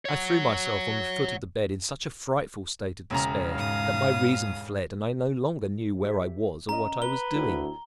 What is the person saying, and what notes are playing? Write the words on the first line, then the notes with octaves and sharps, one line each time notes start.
I threw myself on the foot of the bed in such a frightful state of despair, that my reason fled and I no longer knew where I was or what I was doing.
C#5 F#5
E1 C#3 A#5
G#2 F5 D#6
G4 E5
C#4 D#5 A#5
B4 G7
D2 E4 C#5 G5